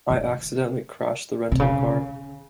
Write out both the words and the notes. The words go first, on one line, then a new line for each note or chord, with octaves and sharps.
I accidentally crashed the rental car.
D#3
C3
C#3